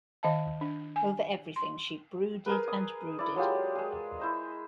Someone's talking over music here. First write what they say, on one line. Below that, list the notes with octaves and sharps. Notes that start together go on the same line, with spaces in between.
Over everything she brooded and brooded.
D#3 D#5 F5 A5
D4
G#5
C6
G#4 A#4 B4
D#6
E4 D5
F#3 G#3 F4 G4
G#3 G#4
E4 C5 D#5